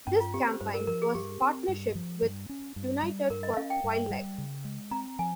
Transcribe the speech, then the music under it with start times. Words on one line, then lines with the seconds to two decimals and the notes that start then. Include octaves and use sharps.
This campaign was partnershipped with United for Wildlife.
0.07 G2 C#4
0.20 F4
0.34 C4 G4
0.48 C5
0.61 G2 C5
0.74 A#4
0.87 F3 A#4
1.02 G#4
1.15 G2 G4
1.42 C4
1.68 G2
1.95 F3
2.22 G2
2.49 C#4
2.76 G2
3.03 G3
3.30 G2 A#4
3.43 D#5
3.57 C#4 F5
3.70 G5
3.84 G2
4.11 G3
4.38 C#3
4.65 G#3
4.91 C4 A#5
5.19 F3 G#5